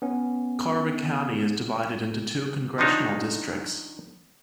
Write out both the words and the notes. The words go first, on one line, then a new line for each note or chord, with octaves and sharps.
Carver County is divided into two congressional districts.
B3 C#4
D#3 F3 D4 D#4 F#4 C#5